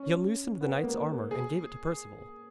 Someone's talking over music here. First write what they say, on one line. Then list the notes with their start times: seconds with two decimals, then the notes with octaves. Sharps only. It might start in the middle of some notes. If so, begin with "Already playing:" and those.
He unloosed the knight's armour and gave it to Perceval.
Already playing: C#4
0.61 B3
0.83 A#3
1.31 G#4